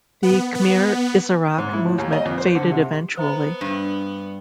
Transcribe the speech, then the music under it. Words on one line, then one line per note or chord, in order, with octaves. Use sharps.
The Khmer Issarak movement faded eventually.
B3
B3
G#2
E4
A2
D#2
D#5
F2
C5
D3
C3
B3 C5 E5 A#5
G2